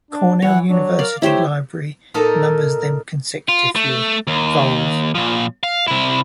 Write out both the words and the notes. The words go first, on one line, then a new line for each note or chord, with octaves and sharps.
Cornell University Library numbers them consecutively, vols.
D4
E3 C#5 F#5
F#3 D4
A#4 D5 F5
A3 E4 G4 C5 C#5
A#2 D#4 A4 A#4 E5 A5
F4
A3
D#2
A#2 F3
F5
C3 E4